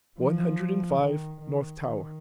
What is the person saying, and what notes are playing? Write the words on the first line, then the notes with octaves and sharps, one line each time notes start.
"One Hundred and Five, North Tower."
F3
D#3
D#3
D#3